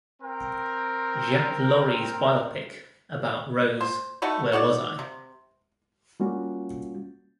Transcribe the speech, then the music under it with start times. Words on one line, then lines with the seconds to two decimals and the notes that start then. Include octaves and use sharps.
Jacques Laurey's biopic about Rose, Where Was I?
0.21 C4 A#4 G5
3.81 C5
4.22 A3 D#4 F#4 B4
4.52 D#4 F#4 C#5 D5
4.99 C3
6.20 G3 A#3 C#4 F4 F#4